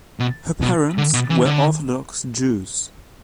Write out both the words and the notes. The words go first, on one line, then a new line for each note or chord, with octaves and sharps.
Her parents were Orthodox Jews.
B2
B2
D3
B2
E3
D3